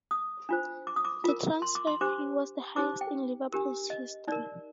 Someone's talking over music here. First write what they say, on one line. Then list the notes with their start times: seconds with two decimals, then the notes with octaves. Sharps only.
The transfer fee was the highest in Liverpool's history.
0.11 D#6
0.49 D4 F4 C5
0.87 D6
0.96 D#6
1.05 D6
1.24 F4 A#4
1.62 C6
1.75 D6
1.87 C6
2.01 D4 G4 C5 D6
2.76 D#4 G4 C5 D6
3.01 G5
3.52 D4 G4 A#4
3.90 D#5
4.28 D#4 A#4 D5